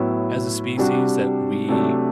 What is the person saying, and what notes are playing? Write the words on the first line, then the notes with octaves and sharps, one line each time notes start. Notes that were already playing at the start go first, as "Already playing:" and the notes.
as a species that we
Already playing: A2 F#3 B3 E4
C3 G3 D4 F#4
C3 F#3 A3 D4